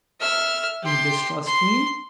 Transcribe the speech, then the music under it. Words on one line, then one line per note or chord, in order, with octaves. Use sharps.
You distrust me?
E5 F6
G4 C6
C6